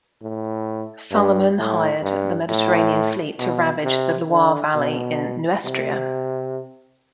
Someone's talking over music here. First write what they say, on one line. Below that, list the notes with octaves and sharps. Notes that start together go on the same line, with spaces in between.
Salomon hired the Mediterranean fleet to ravage the Loire valley in Nuestria.
A2
G2
A2
G2
A2
B2
C3
D3
B2
C3